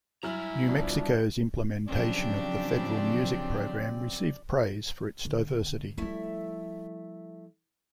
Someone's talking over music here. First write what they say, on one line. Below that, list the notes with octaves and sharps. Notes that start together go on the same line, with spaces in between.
New Mexico's implementation of the Federal Music Program received praise for its diversity.
F#3 G3 E4 G#5 A#5 F6 F#7
F2 B2 F3 D4
C#3 F3 F#3 C4 D4 G4 D5
D3
F3 G3 A3 E4 E5